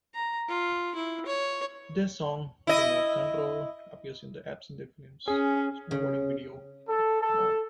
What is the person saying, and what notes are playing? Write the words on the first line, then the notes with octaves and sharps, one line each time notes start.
Their song, "Remote Control" appears in the Absinthe Films snowboarding video, "More".
A#5
F4
E4
C#5
E4 D#5
C#4 G#4
C#3
A4
A4